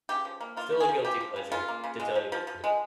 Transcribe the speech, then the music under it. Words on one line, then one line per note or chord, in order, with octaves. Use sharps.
still a guilty pleasure, to tell you the truth.
C#3 G4
F3
A#3
A#3 F4
F3
G#4
F3
C#3 G4
F3
C#3
C#3 F4
A#3
C#3
G#3
F3
F3
F3
G#3